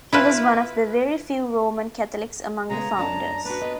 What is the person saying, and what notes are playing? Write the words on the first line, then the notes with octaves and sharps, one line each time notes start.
He was one of the very few Roman Catholics among the Founders.
E4 F4 B4
C#3 G#3 B3 A#5
F#2 D4 A5
D4 F#4 B4
B3 D#5